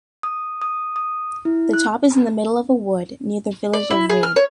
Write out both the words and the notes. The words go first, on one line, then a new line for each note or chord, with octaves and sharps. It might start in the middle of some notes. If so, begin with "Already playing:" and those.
The top is in the middle of a wood, near the village of Rede.
D#6
D#6
D#6
E4
F#6
D5
E4
G#4
F6
C#5